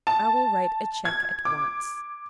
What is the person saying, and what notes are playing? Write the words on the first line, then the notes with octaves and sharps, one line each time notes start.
I will write a cheque at once.'
A5
G#6
D6